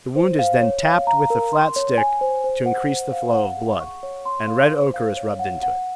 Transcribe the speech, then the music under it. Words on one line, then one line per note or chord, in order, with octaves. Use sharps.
The wound is then tapped with a flat stick to increase the flow of blood, and red ochre is rubbed into it.
C5
F5
C#5
F5
A#5
A#4
C6
C#5
G#5
C5
C5
F#5
C5
F5
F#5
G#4
C#6
C#5
C6
F5
C5
F5
C#5
F#5
F#5